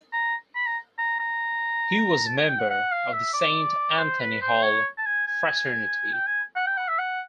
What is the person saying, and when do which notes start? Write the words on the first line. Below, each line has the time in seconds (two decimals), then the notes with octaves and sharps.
He was a member of the Saint Anthony Hall fraternity.
0.13 A#5
0.55 B5
0.67 A#5
0.98 A#5
1.20 A#5
2.26 A5
2.37 G#5
2.49 G5
2.59 F#5
2.70 F#5
2.92 F5
3.13 E5
3.34 D5
3.99 C5
4.20 B4
4.42 C5
4.63 C#5
4.98 A5
5.06 G#5
5.27 G#5
6.13 G5
6.27 G#5
6.56 F#5
6.67 G5
6.77 F#5
6.88 E5
6.99 F#5